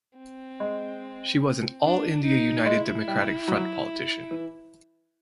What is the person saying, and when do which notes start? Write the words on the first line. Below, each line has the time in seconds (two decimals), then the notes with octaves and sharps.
She was an All India United Democratic Front politician.
0.18 C4
0.60 G#3
1.84 D4
2.25 D#4
2.66 G#3 E4
3.08 G3
3.48 F#3
4.31 E3